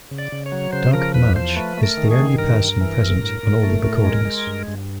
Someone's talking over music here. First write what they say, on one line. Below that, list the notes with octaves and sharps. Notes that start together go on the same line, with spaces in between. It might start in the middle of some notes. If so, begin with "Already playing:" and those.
Doug Martsch is the only person present on all the recordings.
C#3
D5
C#3
C#5
F#3
C#3 C5
F3 A#4
E2 B4
F3 C5
A3 B4
A3
A#4
D#3
G#4
D#3
G2 A#4
G2
E3
G2
A2
A2
A3
A2
G#3
G#3
G2
G2